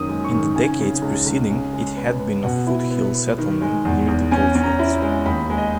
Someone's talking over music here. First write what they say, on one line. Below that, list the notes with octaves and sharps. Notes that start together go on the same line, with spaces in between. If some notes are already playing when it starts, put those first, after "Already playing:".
In the decades preceding, it had been a foothills settlement near the gold fields.
Already playing: F#2 D#3 A#3 D#6
G#3
C#6
D#3
C#3 G#5
C#3
C#2
C#2
C#3
G#3
B3
B3
B2 F#5
E4
B3
B3
D#3
G#3
E2
E2
C#4 G#5
C#4
A#5
E4
G#3
D#2 B5
G#3
D#5